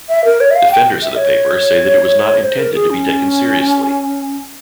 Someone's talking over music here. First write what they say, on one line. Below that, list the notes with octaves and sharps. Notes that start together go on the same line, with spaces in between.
Defenders of the paper say that it was not intended to be taken seriously.
E5
A#4
C#5
E5
F5
G5
E5
C#5
C5
A#4
G#4
C#4